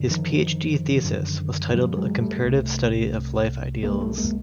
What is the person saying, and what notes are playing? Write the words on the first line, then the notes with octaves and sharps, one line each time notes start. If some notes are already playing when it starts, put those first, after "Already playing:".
His PhD thesis was titled "A Comparative Study of Life Ideals".
Already playing: F#2 D3
D#3 F3
F#2 D3
F3 G3
F#3 G#3
G3 A3
C2 C3
C2 C3 G#3 A#3
G3 A3
G#3 A#3